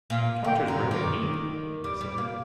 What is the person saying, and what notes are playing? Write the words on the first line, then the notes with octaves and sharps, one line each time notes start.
"The counters were in a heap," I said.
A#2 F5
D3 G5
D3 A#5
D#3 D6
G3 D6
G3
D6
A#3